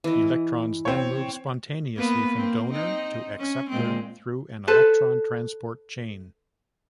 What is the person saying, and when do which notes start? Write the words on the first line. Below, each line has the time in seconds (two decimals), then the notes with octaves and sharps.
Electrons then move spontaneously from donor to acceptor through an electron transport chain.
0.04 E3 D#5
0.85 C4 C#5
1.96 A#3 B3 B4
2.37 A#3 C4
2.70 C4 D#4
3.39 C#4
3.70 A#2 G#3 C4
4.67 A4 B4 C5